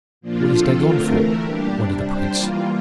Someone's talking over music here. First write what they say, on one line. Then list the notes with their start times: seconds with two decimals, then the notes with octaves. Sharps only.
"What is Dagon for?" wondered the prince.
0.21 A#2 F3 A#3 D4 F4
0.51 D3 F3 C4 F4 A4
0.81 D3 A3 C4 F4 A#4
1.12 E3 A3 E4 A#4
1.41 A#2 G3 D4 G4
1.72 C3 G3 D4
2.02 G3 D4 G4 C5
2.32 E3 G3 A#3 F4